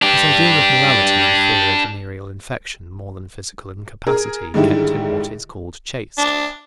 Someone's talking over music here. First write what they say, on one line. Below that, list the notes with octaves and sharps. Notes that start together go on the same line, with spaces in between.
His ideal of morality and fear of venereal infection, more than physical incapacity, kept him what is called chaste.
D4 G4
G#4 A#4
G#2 D3 D#3 G3 E4
D4